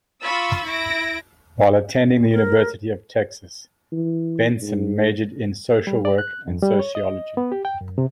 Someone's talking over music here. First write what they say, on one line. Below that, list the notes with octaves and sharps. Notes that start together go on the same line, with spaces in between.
While attending the University of Texas, Benson majored in social work and sociology.
F4 B5 C#6 E6 A6
E4 A#6 D7
A#4
E3
G#2
G3
D5
F#6
F2
G3
C#5
D#5
B3
G4
G5
F#2
C3